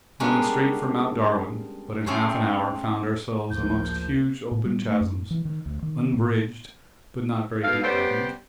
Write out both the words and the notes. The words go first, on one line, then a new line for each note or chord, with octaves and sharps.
We went straight for Mt. Darwin, but in half an hour found ourselves amongst huge open chasms, unbridged, but not very deep, I think.
G3 G#3 A#3 B3 C#4 D4
A3 C4 C#4 G#4 C5
G#1 D2 A2 F3 A#3 G6
A2
G3
A3
F#2
E3
D#3
D2
D#3
A2
B2 A4 F5
G3 B3 C#4 G4 C5